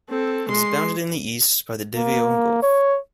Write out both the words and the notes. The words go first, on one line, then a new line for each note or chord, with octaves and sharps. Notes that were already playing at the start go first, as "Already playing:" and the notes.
It is bounded in the east by the Davao Gulf.
C4 A4
G#3 C6
A#3
C#5